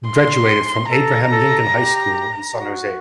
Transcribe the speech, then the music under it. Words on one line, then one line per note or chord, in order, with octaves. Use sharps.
Graduated from Abraham Lincoln High School in San Jose.
C6
A4 A#5
A4
G4
F#4